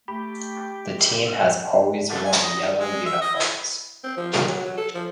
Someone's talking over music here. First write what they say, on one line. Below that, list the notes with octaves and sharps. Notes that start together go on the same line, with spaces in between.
The team has always worn yellow uniforms.
A3 G4 B5
A3
G#5
D#5
D#3
G#3
E5
D#5
E4
C4
F3
D#3
F#3
F#3
A4
F3